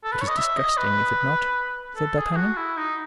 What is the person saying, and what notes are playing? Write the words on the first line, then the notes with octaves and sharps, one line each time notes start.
"It is disgusting, is it not?" said D'Artagnan.
A4
B4
C#5
D#5
E5
D#5
B4
A4
G#4
G#4
F#4
E4
D#4